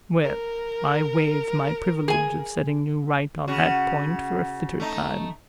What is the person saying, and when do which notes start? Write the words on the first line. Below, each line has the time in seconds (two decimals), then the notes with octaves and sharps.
Well, I waive my privilege of setting you right on that point for a fitter time.
0.23 A#4
2.08 G#4 G#5
3.48 C#3 F#4
4.80 A3 D#4